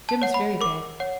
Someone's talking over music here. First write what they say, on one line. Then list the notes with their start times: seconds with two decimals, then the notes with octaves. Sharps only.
'Jim's very bad.
0.09 A5
0.22 C#5 F#5
0.34 B5
0.61 A#4 D6
1.00 C#5 F#5